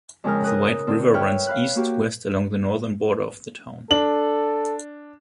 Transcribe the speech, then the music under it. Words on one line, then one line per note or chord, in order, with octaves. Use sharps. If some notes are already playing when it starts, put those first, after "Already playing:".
The White River runs East to West along the northern border of the Town.
F2 C#3 G#3 A#4 F6
A#4 D#6 F#6
D3 C4 F4
B4 C#5 E5 G5 F6
F5 B5 F#6
A#3 F#4 G4
D4 A4 F#7